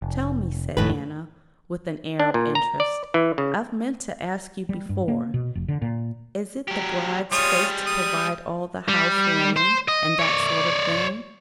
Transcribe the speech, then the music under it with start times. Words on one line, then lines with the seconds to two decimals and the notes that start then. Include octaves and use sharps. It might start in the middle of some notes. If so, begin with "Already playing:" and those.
'Tell me,' said Anna, with an air of interest; 'I've meant to ask you before: Is it the bride's place to provide all the house-linen, and that sort of thing?'
0.02 F1
0.77 G1 F2 A2 D#3 B4
2.20 D4
2.34 A#2
2.55 A#5
2.80 D5
3.14 E3
3.38 C#3
4.69 G3
4.89 G2
5.08 A#3
5.34 B2
5.55 F1
5.68 D3
5.82 A#2
6.68 F#3 G4
7.32 G3 G#3 F4 C#5 D#6
7.87 D#6
8.89 G3
9.56 C5
9.88 D#5
10.19 C#5 D5